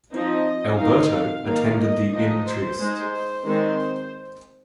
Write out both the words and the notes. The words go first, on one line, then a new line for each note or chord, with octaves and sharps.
Alberto attended the in Trieste.
F3 C4 D#4 D#5
D#3 C4 D#4 F5
D#3 A#3 D#4 F5
D#5
F3 G#3 D#4 D#5
C5
G#3 D#4 C5
D#3 G#3 C4 D#4 C5